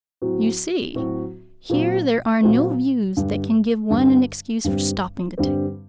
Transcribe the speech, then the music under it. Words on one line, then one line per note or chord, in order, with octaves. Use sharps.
You see, here there are no views that can give one an excuse for stopping to take breath.
A2 F#3 C4 F#4
A2 F#3 C4 F#4
A#2 F#3 C4 F#4
A#2 F#3 C4 F#4
G2 D3 G3
G2 D3 G3
G2 D3 G3 C4
G2 D3 G3 C4